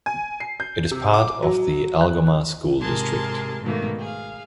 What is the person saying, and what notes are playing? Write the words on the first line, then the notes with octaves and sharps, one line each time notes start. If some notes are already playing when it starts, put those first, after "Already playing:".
It is part of the Algoma School District.
G#5
C7
G6
C3
D6
F#3
F#6
G#2 C3 G#4 A#4 A5 C6
G#2 B2 D#3 A3 A#3
G#4 F5